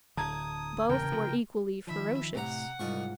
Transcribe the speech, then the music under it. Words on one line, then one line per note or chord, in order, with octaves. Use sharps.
Both were equally ferocious.
D1 D3 A5 A#5 D#6 G#6
E2 G2 A#2 C#3 A#4 G5
C3 F3
D#3 F3 E5 B5
A2 C3 F#5 A#5
C2 G#2 F4 D#5 C#6